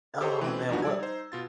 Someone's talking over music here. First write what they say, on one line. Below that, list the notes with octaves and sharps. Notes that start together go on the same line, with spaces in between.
Aw, man, what
G4 A4 C5 C#5 D#5
E3 A3 C4 C#4
E2 G2 F3 D4 D#4 F#4
G3 D5 E6 G#6
D#4 C5
B2 F4 A6